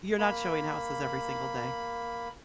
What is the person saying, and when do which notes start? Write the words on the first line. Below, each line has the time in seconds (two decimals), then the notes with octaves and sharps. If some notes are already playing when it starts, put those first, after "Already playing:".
You're not showing houses every single day.
0.18 A#3 B5